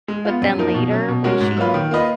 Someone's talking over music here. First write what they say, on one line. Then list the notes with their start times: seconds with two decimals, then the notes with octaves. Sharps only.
but then later, when she
0.08 G#3
0.25 B3 F4
0.42 F#2
0.58 F3 A#3 D#4 A#4
0.74 B2
0.91 F#3 C#4
1.08 B2
1.24 G#3 C#4 F#4 A#4
1.40 G#2
1.57 F#3 A#3 F4 B4
1.74 D#3
1.91 A#3 F4 B4 D#5